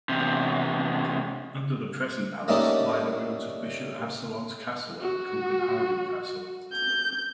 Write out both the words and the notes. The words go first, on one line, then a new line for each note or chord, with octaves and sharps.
Under the present palace lie the ruins of Bishop Absalon's Castle and Copenhagen Castle.
E2 C3
G3 A3 A#3 C#4 D#4
F#4
G6